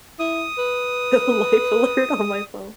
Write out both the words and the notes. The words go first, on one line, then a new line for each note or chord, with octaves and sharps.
Life alert on my phone.
E4 D#6
B4